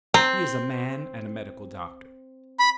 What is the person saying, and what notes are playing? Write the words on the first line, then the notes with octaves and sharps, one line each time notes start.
He is a man and a medical doctor.
C4 A#5
B5